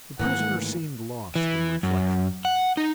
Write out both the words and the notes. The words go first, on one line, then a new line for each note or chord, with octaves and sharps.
The prisoner seemed lost in reflection.
G#2 D#3 E3 A3 A#3 F#5
E3
F#2
F#5
D#4